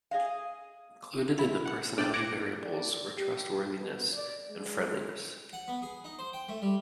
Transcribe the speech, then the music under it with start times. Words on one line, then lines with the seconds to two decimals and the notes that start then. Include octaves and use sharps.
Included in the personality variables were trustworthiness and friendliness.
0.11 G#4 D#5 F5
1.39 E4
1.66 F#5
1.98 B1 D4 D5 G5
2.13 D6 F#6 G#6 A#6 C#7 D7
2.63 D5
3.16 G4
3.76 B2
4.13 D5
4.50 G#3
5.53 F#5
5.68 B3
5.82 G#4
6.04 D#4
6.19 C5
6.33 G5
6.49 A3
6.62 G3